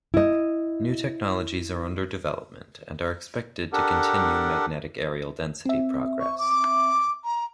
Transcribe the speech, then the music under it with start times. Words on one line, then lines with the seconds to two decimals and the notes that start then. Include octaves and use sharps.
New technologies are under development and are expected to continue magnetic areal density progress.
0.14 E4 D#5
3.73 D4 G4 A4 A#4 F#5
5.66 C4 E5
6.20 C#6
6.38 D6
7.24 A#5